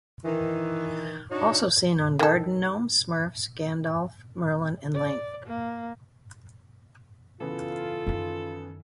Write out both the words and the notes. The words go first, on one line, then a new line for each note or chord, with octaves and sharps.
Also seen on: Garden gnomes, Smurfs, Gandalf, Merlin, and Link.
D#3 E3
D4 D#4 F#4 C#5
D#3 A4
D5
A#3
C#3 E3 B3 F4 A4
F#2 D#3